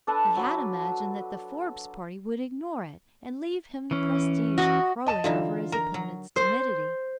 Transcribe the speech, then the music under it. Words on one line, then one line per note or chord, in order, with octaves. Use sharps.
He had imagined that the Forbes party would ignore it and leave him the prestige of crowing over his opponent's timidity.
D4 A4 B4 A5
F#3 B5
E3 C#4
F#4 D#5
D#5 A5 E7
D3 E3 D#4 F4
A#4 A#5
F#3
C5